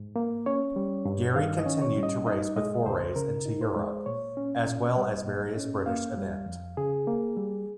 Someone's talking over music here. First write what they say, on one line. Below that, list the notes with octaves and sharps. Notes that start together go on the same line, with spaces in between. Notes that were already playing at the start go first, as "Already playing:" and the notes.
Gerry continued to race with forays into Europe, as well as various British event.
Already playing: G#2
A#3
C#4 C#5
G3
G2
D#3 F5
D#5
C#4
C#5
G3
D#5
D#4 D#5
G#3 D#5
C#2 C5
C#3 A#4
D#4
C5
G#3
A#2 C#5
C#4
A#2
G3 D#5
A#2
C#4
A#3 F5
G3
F2
C#3 G#4
A#3
G3